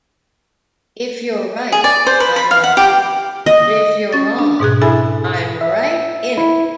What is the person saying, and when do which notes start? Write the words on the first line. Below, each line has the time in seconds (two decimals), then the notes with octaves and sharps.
If you're right, I'm alright; but if you're wrong, I'm right in it!
1.72 G#4
1.84 D5
2.07 C5
2.20 B4
2.36 B5
2.51 F5
2.64 F#5
2.77 G4
3.46 D#5
4.13 C#4 A6
4.39 D4
4.60 G#2 B2 G#4 F#6
4.82 E4 G#4 A4 E5 G#5 B5
5.61 E5
6.38 E4